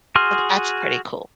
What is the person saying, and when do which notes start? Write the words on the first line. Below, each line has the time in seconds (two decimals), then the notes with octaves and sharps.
So, that's pretty cool.
0.15 F#4 G#4 C6 F6